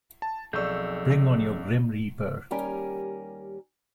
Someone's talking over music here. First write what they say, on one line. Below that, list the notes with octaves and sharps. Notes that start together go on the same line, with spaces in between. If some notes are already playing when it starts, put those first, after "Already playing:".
Bring on your grim reaper!
A5
B1 F2 G#4 A4 D5 C#6 E6 G6
D#2 G3 C#4 G4 A#4 G#5